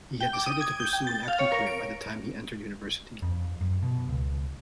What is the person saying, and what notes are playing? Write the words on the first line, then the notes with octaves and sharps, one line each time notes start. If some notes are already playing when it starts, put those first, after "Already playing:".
He had decided to pursue an acting career by the time he entered university.
G5
D6
D#6
G#6
G6
G5
A6
F5
C#5
A#4
D7
F2
F#2
B2
C#2